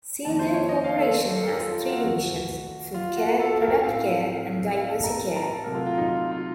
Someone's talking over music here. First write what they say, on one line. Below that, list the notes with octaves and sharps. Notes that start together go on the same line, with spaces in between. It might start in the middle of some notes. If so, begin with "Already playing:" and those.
Sealed Air Corporation has three divisions: Food Care, Product Care, and Diversey Care.
F2 D#3 A#3 A5
C5
C#5
D#5
F5
A4
A4
A4
A#4
A4
F4
F4
F#4
D#2 D#3 A3
F4
F#4
A4
A#4
A2 A3 C4 F5
F5
A5
A#5
A5
A#5
A5
C3 F#3 A3 A#4
F4
F4
D#4
F4
F4